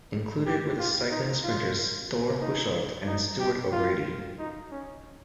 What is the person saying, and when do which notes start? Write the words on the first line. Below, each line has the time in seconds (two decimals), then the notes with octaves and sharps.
Included were the cycling sprinters Thor Hushovd and Stuart O'Grady.
0.46 G4
0.79 F4
1.11 D#4
1.43 F4
2.42 D#4
3.07 D#4
3.40 G4
3.72 F4
4.39 D#4
4.71 C#4